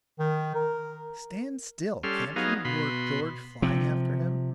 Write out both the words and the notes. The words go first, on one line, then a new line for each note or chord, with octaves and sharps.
"Stand still, can't you!" roared George, flying after him.
D#3
A#4
G3 C#4 A4 C6 F6
F#3 B3 D#4 G#4 F5
B2 B5 C6
C3 F3